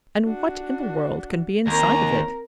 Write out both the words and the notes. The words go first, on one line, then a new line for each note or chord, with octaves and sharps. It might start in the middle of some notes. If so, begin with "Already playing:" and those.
"And what in the world can be inside of it?"
D4 F#4
D#2 C4 A#4 A#5